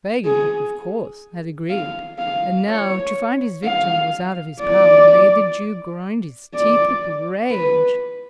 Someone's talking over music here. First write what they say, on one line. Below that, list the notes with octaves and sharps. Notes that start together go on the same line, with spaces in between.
Fagin, of course, had agreed, and now, to find his victim was out of his power made the Jew grind his teeth with rage.
G#4
F5
F5
C#5
F5
D5
D5
B4